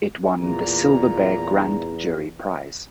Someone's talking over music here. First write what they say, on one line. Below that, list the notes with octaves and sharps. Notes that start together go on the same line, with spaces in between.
It won the Silver Bear Grand Jury Prize.
E2 A#2 A#5